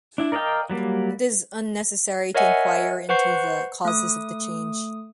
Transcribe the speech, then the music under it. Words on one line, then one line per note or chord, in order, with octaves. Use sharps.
It is unnecessary to enquire into the causes of the change.
D4 E4
A#4 D5 D#5 F5 G5
F#3 G3 A#3
A#4 C#5 D#5 E5 F#5 G#5
B4 C5 F#5 C#6 G6 C7
A3 D#6